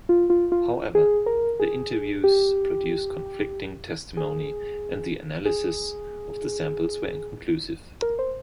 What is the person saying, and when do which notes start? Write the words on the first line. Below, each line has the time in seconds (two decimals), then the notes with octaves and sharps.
However, the interviews produced conflicting testimony and the analyses of the samples were inconclusive.
0.09 F4
0.30 F4
0.52 F4
0.95 G#4
1.26 A#4
1.60 G#4
2.24 G4
4.17 G#4
5.46 G#4
8.02 A#4
8.19 C5